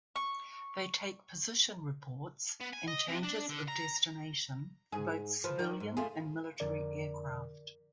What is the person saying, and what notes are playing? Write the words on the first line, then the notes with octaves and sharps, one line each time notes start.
They take position reports and changes of destination for both civilian and military aircraft.
C#6
B3
G#5
D#5
C3
D4
D3
A#5
G#2 G#4
F3 B4
D#3 D5
G#2
A3 F4 G#4
F2 D3 A#4 D5